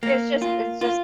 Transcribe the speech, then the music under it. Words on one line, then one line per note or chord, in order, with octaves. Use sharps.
it's just it's just
A#3
F4
F4